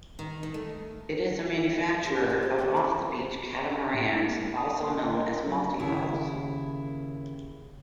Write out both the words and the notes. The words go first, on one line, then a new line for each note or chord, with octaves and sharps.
It is a manufacturer of off-the-beach catamarans, also known as multihulls.
D#3
D#3
A3
G2 C#3
G5
F3
C4 F4 A4
C3 D#3 F3 A3 C#4 D4
G4 C5 D5 G#5
A2
E4
A#3
D#6
C6
D#5
A#4
F#3
D#2 C#3 E4